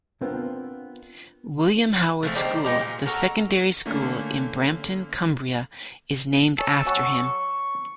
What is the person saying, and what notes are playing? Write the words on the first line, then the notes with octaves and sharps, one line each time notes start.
William Howard School, the secondary school in Brampton, Cumbria, is named after him.
B3 C4 D4 F4 A#4 C5
E3 F3 A3
D4 D#4 G4 C5
G#3 B3 D#4 G4
A#2
F#4 A4 A#4
D3 A3 A#3 C#4
A4 C#5 G#5 A5
F#3 F#4 G#5
C#6